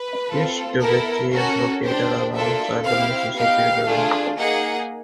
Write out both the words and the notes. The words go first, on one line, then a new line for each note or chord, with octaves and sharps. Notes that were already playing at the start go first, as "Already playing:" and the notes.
East Dubuque is located alongside the Mississippi River.
Already playing: B4
C4 F4 A4
B3 E4 A4 A#4
C#4 F#4 A4 A#4
D4 G4 C5
A#3 D4 F4 A4 E5
C4 E4 G4 F5
B3 D#4 G4 F5
A3 D4 F4 G#4
A#3 D#4 G#4 F#5